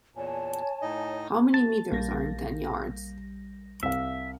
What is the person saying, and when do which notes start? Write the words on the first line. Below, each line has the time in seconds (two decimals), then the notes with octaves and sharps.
How many meters are in ten yards?
0.15 E2 A#2 C#5 G#5 A5
0.82 A2 D#4 D#5
1.54 A5
1.92 A#1 G3 A#3 A#6
3.83 C2 E5 F5